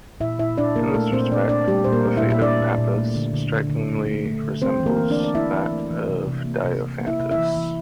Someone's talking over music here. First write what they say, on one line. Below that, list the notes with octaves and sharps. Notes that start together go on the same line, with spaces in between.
In this respect the fate of Pappus strikingly resembles that of Diophantus.
A#2 E4 E5
A#2 E4 E5
A#2 D4 D5
A#3 A#4
A#2 A3 A4
A#2 C4 C5
A#2 D4 D5
A#2 D4 D5
G3 A3 G4
A#2 C5
A#3 A#4
A3
E4 E5
A#2
E5
A#2 D4 D5
A#2
A#2
A3
D3
D3
D3
D3
A3
A3
A3
D3
A3 C4 C5
E3
A#3 A#4
E3
D4 D5
A3
D5
E3 E4 E5
E3
A3
E3
C3
C3
A#3
C3
C3
A#3
E4 E5
C3
E4 E5
E3
E3